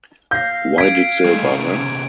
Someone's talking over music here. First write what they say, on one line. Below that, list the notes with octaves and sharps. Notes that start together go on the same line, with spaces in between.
Why did they bother?
F5 G6 A#6
G#6 B6 D7
G3 G#3 A4
C3 B3 C#4